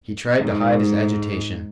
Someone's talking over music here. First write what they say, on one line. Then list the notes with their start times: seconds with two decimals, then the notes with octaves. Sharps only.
He tried to hide his agitation.
0.39 G#2